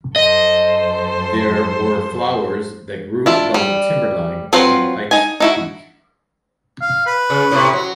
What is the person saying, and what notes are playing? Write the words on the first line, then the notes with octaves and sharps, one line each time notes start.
There were flowers that grew above the timberline on Pikes Peak.
F#2 A4 C5 D#5
D4 E4 F4
G3
F#3 C4 F4 B4 C5
D#4 G#5
D#4 E4 F#4
F5
B4
C#3
A2 C3
F#3